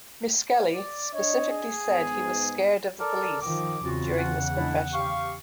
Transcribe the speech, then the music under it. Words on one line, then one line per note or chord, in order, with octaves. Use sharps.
Misskelley specifically said he was "scared of the police" during this confession.
D5
D4 C#5 D#5
G#4
G#2 B3
A4 A#4 D5
D#3 F3 D6
E2 C#3 C4 F4 F#4
F#5
G#3 D4 E4
G4 F5 C#6